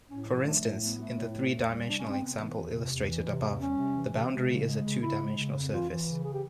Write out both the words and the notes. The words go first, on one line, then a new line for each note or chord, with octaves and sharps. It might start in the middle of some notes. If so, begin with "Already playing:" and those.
For instance, in the three-dimensional example illustrated above, the boundary is a two-dimensional surface.
A2 C#4
F3
A3 D4
A2
A3 B3
A3
A2
A3
E2
G3
C3 D4
C#4
C3
C4
C3 B3
E3
E2
C3
E2
E3
C3
E2
G3 C#4
C3
E3
C3
G#3
C#3
G#3
C#3
C#3 E4
G#3
C#3
F2
E3 F4
E3
C#3
G#4
G4